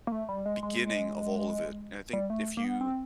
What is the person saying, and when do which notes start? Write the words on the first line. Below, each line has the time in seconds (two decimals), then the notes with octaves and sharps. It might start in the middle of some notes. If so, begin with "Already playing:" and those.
beginning of all of it. And I think if you
0.07 A#3
0.12 A3
0.29 G3
0.46 G#3
0.63 G#3
2.13 G3
2.30 A3
2.57 A#3
2.64 B3
2.81 C4